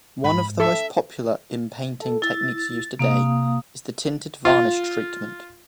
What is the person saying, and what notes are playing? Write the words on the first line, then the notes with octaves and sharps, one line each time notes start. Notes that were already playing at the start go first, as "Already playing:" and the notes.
One of the most popular inpainting techniques used today is the Tinted Varnish Treatment.
G#2 B5
A4 E5
A4
E4 A6
C3 A#3 F5 D#6
F4